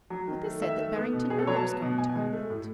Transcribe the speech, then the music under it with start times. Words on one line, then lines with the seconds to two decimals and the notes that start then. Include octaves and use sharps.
"But they said that Barrington Erle was going to Ireland."
0.10 F#3
0.28 D#3
0.45 A3
0.62 D#3 E5
0.79 A3
0.96 B3
1.13 B2
1.30 B2 G#4
1.39 A4
1.47 F#3 C#5
1.56 A5
1.65 B3
1.82 B2
1.98 B2 G#5
2.16 G#3
2.33 A3
2.50 A2